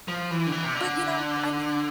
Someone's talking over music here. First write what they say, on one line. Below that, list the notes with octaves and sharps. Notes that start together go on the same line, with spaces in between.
But, you know, I mean
F3
E3
D3
E3
C3
D3